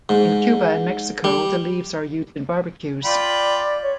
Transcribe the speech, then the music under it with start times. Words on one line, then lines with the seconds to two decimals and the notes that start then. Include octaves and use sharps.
In Cuba and Mexico, the leaves are used in barbecues.
0.09 G#2
1.24 G3
3.04 F4 D5 G5 B5
3.82 C#5